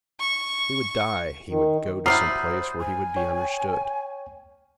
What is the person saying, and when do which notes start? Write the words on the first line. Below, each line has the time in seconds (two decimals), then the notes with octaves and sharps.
He would die; he would go to some place where he would be understood.
0.20 C#6
1.50 D#3
2.06 F#3 G3 E4 C5 D#6 F6 A6 C7
2.79 G#5
3.17 C#5 G5